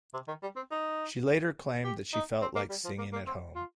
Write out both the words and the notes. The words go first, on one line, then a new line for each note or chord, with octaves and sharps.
She later claimed that she felt like singing at home.
C3
D#3
G3
C4
D#4
G4
D#4
C4
A#3
G3
F3
A#3
A#3
C4
F4